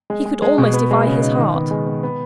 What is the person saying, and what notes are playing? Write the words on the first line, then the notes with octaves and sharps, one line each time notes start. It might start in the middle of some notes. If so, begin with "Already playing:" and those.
He could almost defy his heart.
G#3
G#3
G#3
B2
B3
G#3
C#3
D#4
D#3
B3
G#3
B3
B3